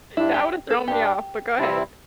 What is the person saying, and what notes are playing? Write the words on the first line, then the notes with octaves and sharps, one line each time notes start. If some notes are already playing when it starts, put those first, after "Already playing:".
That would have thrown me off, but go ahead.
G2 G3 D4 E4
G4
A4
G2 G3 D4 G4
C3 G3 C4 E4